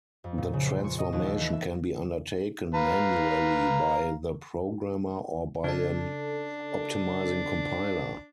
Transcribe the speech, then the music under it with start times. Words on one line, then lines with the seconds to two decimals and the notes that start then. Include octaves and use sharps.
The transformation can be undertaken manually by the programmer or by an optimizing compiler.
0.24 F2
0.38 A#2
0.53 C#3
0.66 C6
0.84 C#6
0.99 D#5
1.13 D#2
1.26 A4
1.40 E3
1.53 E5
2.74 B4 F5 A#5
5.64 C#3 D4 A4